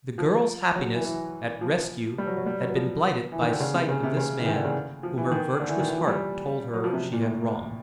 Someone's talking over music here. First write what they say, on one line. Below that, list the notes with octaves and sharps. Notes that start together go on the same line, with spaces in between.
The girl's happiness at rescue had been blighted by sight of this man whom her virtuous heart told her she had wronged.
F3
F#3
E3
E3
F3
G3
F#3
F#3
G3
F#3
F3
E3
D#3
D3
C#3
C3
C#3
C3
C#3
E3
D#3
D3
C#3
F3
E3
D#3
D3
E3
D#3
E3
F3
G3
F#3
F3
C3
A#2
A2